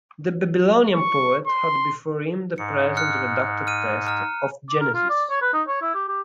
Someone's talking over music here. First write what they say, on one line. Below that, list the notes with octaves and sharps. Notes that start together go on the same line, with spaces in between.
The Babylonian poet had before him the present redacted text of Genesis.
C#6
C6
G#2 C#7
F6 F#6 C#7
F6 D#7
A#5 F6
D6
A#4
F4
D5
C#5
B4
D#4
C#5
E4
G4
G4